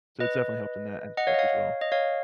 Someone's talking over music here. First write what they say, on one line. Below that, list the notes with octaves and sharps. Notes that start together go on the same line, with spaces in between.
So it's definitely helped in that aspect as well.
B4 D#5
D#5 F#5
C#5 F5
D#5
C#5 F5
D#5
C#5 F5